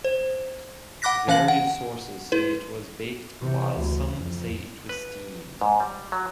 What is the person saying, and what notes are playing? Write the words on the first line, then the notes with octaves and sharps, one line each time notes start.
Various sources say it was baked while some say steamed.
C5
F#5 B5 D6 F#6 A#6 B6
E3 C#4 F5 F#6 A#6 F#7
F#5
F#5
E4 B4
C3 E3
D2
F2
B4
G#2
G3
F#3